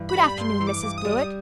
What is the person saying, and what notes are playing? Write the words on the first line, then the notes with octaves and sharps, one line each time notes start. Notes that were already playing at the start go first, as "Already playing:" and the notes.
Good afternoon, Mrs. Blewett.
Already playing: G2 E3
B5
G3
G2 C6
E3
D6
G2
D#6
G3